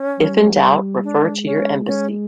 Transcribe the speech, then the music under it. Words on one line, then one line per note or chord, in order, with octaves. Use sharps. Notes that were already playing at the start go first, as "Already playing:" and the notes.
If in doubt, refer to your Embassy.
Already playing: C#4
G3
G#3 D4
C#4
C#4